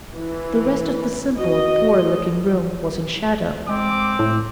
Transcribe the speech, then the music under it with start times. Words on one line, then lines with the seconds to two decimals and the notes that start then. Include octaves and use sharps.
The rest of the simple, poor-looking room was in shadow.
0.15 E3
1.38 F#4 D#5
3.68 G#3 C4 D#5 G#5 D6
4.19 A2